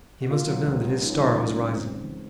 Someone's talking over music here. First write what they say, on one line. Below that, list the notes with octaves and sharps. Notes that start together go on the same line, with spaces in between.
He must have known that his star was rising.
F#4
A#3 F4
F#3
C#2
C#3
A#3 D#4
C#4
F#3 D#4
C#2
C#3
G#3 C4
D#3
C#2